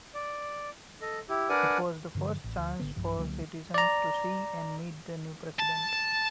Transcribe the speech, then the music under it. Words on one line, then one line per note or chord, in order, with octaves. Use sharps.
It was the first chance for citizens to see and meet the new president.
D5
A4 D#5
E4 G4
D4 A#4 B4 D5 F#5 G#5
G2 D3 F3
A1
D2
G#1 D3 B3
B1 G2 F3
C#2 D3 F#3 A#3
D5 A#5
A5